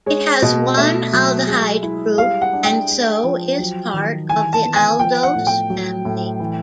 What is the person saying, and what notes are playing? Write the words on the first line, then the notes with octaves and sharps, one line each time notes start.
It has one aldehyde group, and so is part of the aldose family.
G#3 C#5
B2 D#5
A3 E5
F#3
G#3
E4
G3 F5
F#5
D4
G5
G#3
F3
F#3
D#3
E3 G#5
A5
B3
G#5
F3 G5
F#5
A2
G5
F#3
A2
E3